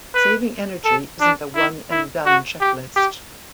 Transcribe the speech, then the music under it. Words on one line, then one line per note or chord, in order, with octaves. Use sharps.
Saving energy isn’t a one-and-done checklist.
B4
A4
D4
E4
E4
F#4
G4
G4